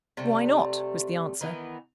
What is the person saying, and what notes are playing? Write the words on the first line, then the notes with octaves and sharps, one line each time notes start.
"Why not?" was the answer.
C3 G3 A3
D#3 E3 B3